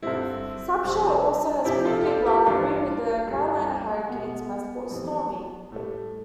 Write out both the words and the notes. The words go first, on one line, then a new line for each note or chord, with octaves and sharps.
Slapshot also has a pretty big rivalry with the Carolina Hurricanes mascot Stormy.
G2 D3 G3 C4 E4
F2 C3 G3
F2 C3 F3 E4 G4
F4 A4
G4
F4 A4
E4 G4
G2 E3 G3 D4 F4
G2 D3 G3
B2 G3 B3
F2 E3 G3
A2 G3 A3